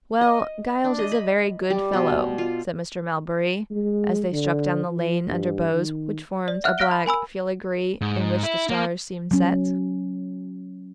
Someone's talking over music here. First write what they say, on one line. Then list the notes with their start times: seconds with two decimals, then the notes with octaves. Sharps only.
"Well, Giles is a very good fellow," said Mr. Melbury, as they struck down the lane under boughs which formed a black filigree in which the stars seemed set.
0.21 D#5
0.84 D4
0.99 D#5
1.12 B5
1.70 G3
1.93 B2
2.38 F4
3.71 G#3
4.32 D3
4.85 F3
5.29 G2
5.74 D#3
6.48 D5
6.64 E5 F#5 F6 F#6
6.78 F5 F6 F#6 A#6 D7 G7
6.91 B5
7.06 A#4 G#5 B5 E6
8.01 G#2
8.43 E4
8.70 A#3
9.31 F#3 C#4